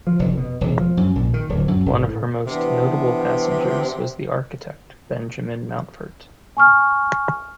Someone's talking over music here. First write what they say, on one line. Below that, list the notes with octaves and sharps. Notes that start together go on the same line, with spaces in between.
One of her most notable passengers was the architect Benjamin Mountfort.
F3
F1
B2
E1
F3
F#2
A#1
D#3
D1
F#2
G#1
A2
C3 E3 B3 D4
G#5 C#6 F6